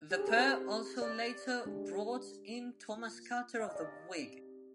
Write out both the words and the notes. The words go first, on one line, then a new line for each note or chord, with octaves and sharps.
The pair also later brought in Thomas Carter of the "Whig".
G4
G#4
A#4
C4 D#4 G4 C5
D5
G#3 D4 G4
A#3 F4
F5
D#5
D5
D#5
C4 D#4 G4